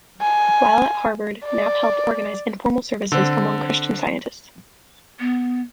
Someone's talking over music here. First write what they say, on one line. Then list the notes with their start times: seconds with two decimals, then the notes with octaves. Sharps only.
While at Harvard, Knapp helped organize informal services among Christian Scientists.
0.22 G#5
1.45 D5
3.12 D3 C4
5.20 B3